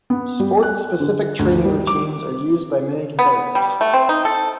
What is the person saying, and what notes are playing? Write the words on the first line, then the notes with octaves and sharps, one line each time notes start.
Sport-specific training routines are used by many competitors.
B3
G3
F#6
D3
D2
G3
D6
B3
G3
A3
C4
D#4
A4